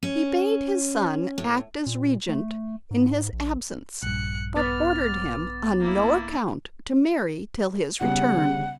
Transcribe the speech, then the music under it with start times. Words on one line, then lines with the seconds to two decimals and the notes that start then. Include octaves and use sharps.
He bade his son act as Regent in his absence, but ordered him on no account to marry till his return.
0.03 C#4
1.38 A2
1.86 A#2
2.29 A3
2.91 G#2
3.33 A#1
4.03 A#1 G2 F#6 C#7
4.56 B3 D6 F6 A6
5.80 A#3 E4
8.00 B1 C#3 G3 F#5